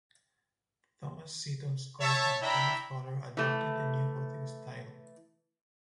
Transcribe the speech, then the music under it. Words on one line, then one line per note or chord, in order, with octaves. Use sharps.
Thomas Seaton Scott and Thomas Fuller adopted the Neo-Gothic style.
C#5 E5 A5
D4 E4 E5 G5 A#5 B5
E3 A3